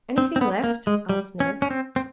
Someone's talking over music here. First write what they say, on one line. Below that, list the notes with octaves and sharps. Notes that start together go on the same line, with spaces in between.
"Anything left?" asked Ned.
C4
C4
B3
A#3
G#3
G3
C#4
C#4
C4
C4